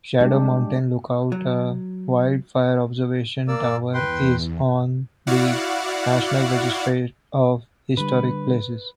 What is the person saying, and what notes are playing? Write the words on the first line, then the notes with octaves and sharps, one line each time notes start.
Shadow Mountain Lookouta wildfire observation toweris on the National Register of Historic Places.
G3 G#3 D4 G4
F#3
A#3 D5 E6
E2 B4 G5 C6
E4 F#4 D5 F5 F#5
D3 G3 B4